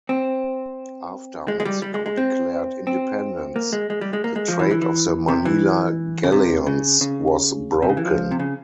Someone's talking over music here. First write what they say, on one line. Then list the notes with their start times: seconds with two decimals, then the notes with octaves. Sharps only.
After Mexico declared independence, the trade of the Manila Galleons was broken.
0.09 C4
1.48 G#3
1.60 G#3
1.65 G3
1.82 G3
1.94 G#3
2.06 G#3
2.17 C4
2.87 C4
3.56 A#3
3.73 G#3
3.90 G#3
4.01 G3
4.13 G#3
4.24 A#3
4.36 G#3
4.48 F3
4.59 E3
4.71 E3
4.82 E3
5.28 C3
5.45 E3
6.24 C#3
6.32 C3
6.67 C#3
7.01 C#3
7.82 C3
7.89 C#3
7.97 E3
8.05 F3
8.31 C3
8.39 C#3